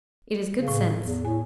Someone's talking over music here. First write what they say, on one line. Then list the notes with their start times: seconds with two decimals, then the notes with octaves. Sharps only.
It is good sense.
0.54 C#3
0.68 A2
1.04 E2
1.25 A2 G#5